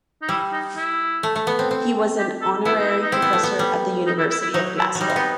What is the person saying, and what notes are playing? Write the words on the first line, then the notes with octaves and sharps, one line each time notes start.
He was an honorary professor at the University of Glasgow.
D#4
G3 E4
D#4
E4
A3
A3
B3
C4
C4
G4
A4
B3 E4
D#4
E4
D#4
C4 E4
B3
A3
B3
G3
D#4
E4
E4
E4
F#3 D#4
E4
F#3
G3 D#4
C4
B3